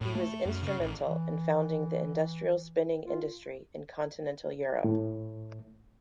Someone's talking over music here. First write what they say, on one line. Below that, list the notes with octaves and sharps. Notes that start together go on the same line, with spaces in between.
He was instrumental in founding the industrial spinning industry in continental Europe.
A2
A3
F#2
C#3
A1
E3
F4
A2